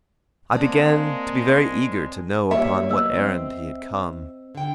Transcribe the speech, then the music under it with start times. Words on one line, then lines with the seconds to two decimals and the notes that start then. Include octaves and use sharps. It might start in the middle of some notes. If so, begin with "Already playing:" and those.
I began to be very eager to know upon what errand he had come.
0.53 G#3 A#3 C4 D5 A5
2.51 G3 A#3 C#5 E5
2.89 F#3 A#3 B3 D#5 E6
3.14 C4
4.55 D3 G5